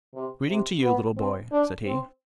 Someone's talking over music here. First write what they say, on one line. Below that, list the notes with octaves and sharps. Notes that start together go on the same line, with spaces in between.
"Greeting to you, little boy," said he.
C3
C3
B3
C4
D4
C4